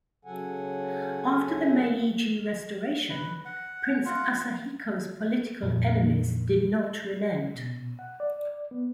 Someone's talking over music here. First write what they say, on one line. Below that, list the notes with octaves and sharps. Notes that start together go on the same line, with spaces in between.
After the Meiji Restoration, Prince Asahiko's political enemies did not relent.
C#3 F#3 A4 F#5 G#5
B4
F#5
F4 F#5
F2 A#2
B2
F#5
D5
B3